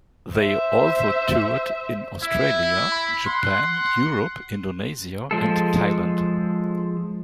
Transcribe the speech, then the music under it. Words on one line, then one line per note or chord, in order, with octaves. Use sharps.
They also toured in Australia, Japan, Europe, Indonesia, and Thailand.
C5 E5
E4 E5
B5
F#5 C6
F3 G#3 A4